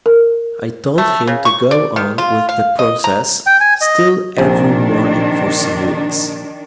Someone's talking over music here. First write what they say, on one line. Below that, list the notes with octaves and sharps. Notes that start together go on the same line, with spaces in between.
I told him to go on with the process still every morning for some weeks.
A#4
A3
C#3
C#6
D5
D#3
F4
F5
D#5
A#5
G5
G#5
D#5
A#1 C3 D#3 D4